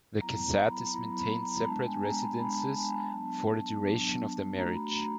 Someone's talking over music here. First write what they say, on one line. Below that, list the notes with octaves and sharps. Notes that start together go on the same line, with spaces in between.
The Casatis maintained separate residences for the duration of their marriage.
F#3 B3 E4 A#5
A#5
B5
F#3 B3 E4 B5
B5
A#5
G#3 B3 D4 A5
G#5
A#5
B5
G#3 B3 D4 B5
A5
G#5
G#5
F#3 B3 D4 A5
F#3 B3 D4
A3 D4 F#4 A#5
B5
A#5